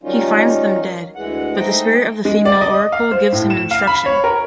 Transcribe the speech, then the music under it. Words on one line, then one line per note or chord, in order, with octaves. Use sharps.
He finds them dead, but the spirit of the female Oracle gives him instruction.
D#3 F#3 G3 C#4 D#4 F4
D2 E3 G#3 F#5
G#3 A3 D#4 C5 D#5 G5
G#3
D5
D#5
F5
C5
A2
E7
F5
B5
C#5
A#4